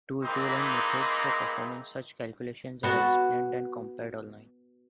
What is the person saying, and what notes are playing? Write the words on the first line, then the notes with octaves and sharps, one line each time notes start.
Two equivalent methods for performing such calculations are explained and compared online.
E3 G#3 A#3 C4 D#4 E4
B3 F#4 A5